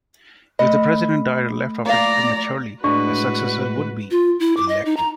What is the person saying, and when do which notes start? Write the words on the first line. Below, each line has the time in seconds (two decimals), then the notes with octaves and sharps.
If the president died or left office prematurely a successor would be elected.
0.59 A3 D#5 B5
1.86 A#3 D5 F5 A#5
2.84 A2 G#3 D4 F#4 B4 C#6
4.11 F4
4.40 E4
4.57 D6
4.69 D#5
4.85 D#4
4.97 A#5